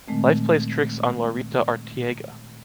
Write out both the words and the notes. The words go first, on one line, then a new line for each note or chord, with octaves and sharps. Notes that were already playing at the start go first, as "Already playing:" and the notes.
Life plays tricks on Laurita Arteaga.
A#2 D#3 G#3 A3 C4